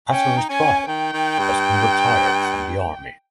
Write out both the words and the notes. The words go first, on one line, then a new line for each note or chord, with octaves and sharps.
After his trial, Preston retired from the army.
C#4 G5
D#4
C#4 G#5
D#3 G5
D#3
G2